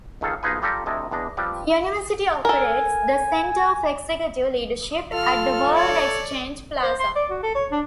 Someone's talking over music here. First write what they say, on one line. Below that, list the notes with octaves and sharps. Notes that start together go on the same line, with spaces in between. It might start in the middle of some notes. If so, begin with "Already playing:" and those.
The university operates the Centre for Executive Leadership at the World Exchange Plaza.
C#2 D#3 G#4 A4 F5
B1 F3 D#4 G#4 B4 G#5
G3 F4 G4 A4 D5 A#5
D2 C3 E4 D#5 A5
E2 D4 D5 D#5
F3 G3 C4 B4 D5
A4 A#4 G#5
F4 A4 F6
C#5 D5
C5
C6
D5
F#4
A4
C#5
D4